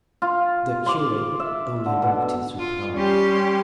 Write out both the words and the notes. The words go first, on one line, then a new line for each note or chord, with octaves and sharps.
The curate only looked his reply.
F4
C6 D6
E5
D3
B2
F4
G3 C#4 G4 C6